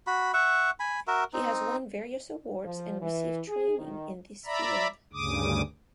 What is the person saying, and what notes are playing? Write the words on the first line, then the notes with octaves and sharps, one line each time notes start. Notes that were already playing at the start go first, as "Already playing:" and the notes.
He has won various awards and received training in this field.
F#4 B5
E5 F#5 C#6
G#5 B5
F#4 A#4 E5
C4 D#4
F3
E3
G#4
D#3
D5 E5 A#5 B5
D2 G2 C#3 D6 D#6